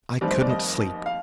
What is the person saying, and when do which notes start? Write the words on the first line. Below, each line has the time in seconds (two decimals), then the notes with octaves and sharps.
I couldn't sleep.
0.21 F1 D#2 D#3 G3 C4 D5
0.31 C5
0.40 D5
0.50 D#5
1.06 F5